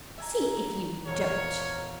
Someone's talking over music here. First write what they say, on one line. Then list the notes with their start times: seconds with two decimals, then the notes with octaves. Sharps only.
See if you don't.'
0.18 E5 G#5 A#5
1.06 E1 A#1 A#4 C#5